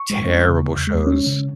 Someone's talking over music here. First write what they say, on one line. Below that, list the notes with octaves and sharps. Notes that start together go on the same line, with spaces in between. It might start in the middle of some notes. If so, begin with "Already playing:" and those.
Terrible shows.
Already playing: C#6
G#3
C#4
C#3
E2
G#3
C#4
C#3